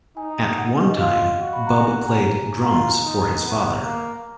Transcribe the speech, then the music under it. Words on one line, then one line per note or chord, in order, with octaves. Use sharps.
At one time, Bub played drums for his father.
D#4 G#5
F#5
D#5
F4 F5
F#4
B5
A#5
G#5
A#5
G#5
F4 A#5
D#4
B3
A#3